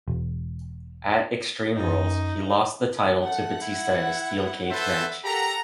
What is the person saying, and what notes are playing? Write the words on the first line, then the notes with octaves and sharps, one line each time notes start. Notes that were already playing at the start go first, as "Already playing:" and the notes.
At Extreme Rules, he lost the title to Batista in a Steel Cage match.
E1
F#2 D#4
A3 F#5
E4
A4 B4 C5 E5
G4 A4 A#4 F#5 A#5